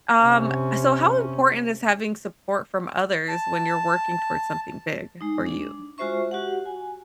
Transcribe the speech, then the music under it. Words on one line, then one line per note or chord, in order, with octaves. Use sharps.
Um, so how important is having support from others, when you're working towards something big, for you?
C3 C#4
A5
G#3 D#4
D4
G#3 F4 F#4 C5 E5 C#6
F#4 G4 F#5
G#5